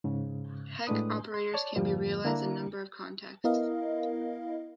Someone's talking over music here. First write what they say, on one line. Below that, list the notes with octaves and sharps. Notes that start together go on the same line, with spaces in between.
Hecke operators can be realized in a number of contexts.
G#2 C#3
A2 G#3 A3 D4 B4 D#6
C6
C#5 D5 A5
F2 G#2 D3 F3 G3 A#3
D3 A#3 D4 E4 A#5
B3 E4 A#4 D#5 F5